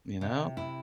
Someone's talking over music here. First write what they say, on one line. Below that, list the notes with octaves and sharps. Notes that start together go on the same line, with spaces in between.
you know?
C3
E4